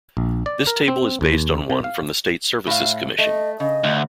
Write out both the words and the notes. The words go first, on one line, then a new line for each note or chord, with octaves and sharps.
This table is based on one from the State Services Commission.
A#1
D5
A#4
C4
D#2
C3
F5
A2 F5
A3 D#5
C#3 D#5
D2